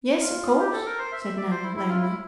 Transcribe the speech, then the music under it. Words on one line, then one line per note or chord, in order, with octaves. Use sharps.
"Yes, of course," said Nan lamely.
F4
G4
A4
A#4
C5
E5
E5
D5
C5
E4
E4
F4
E4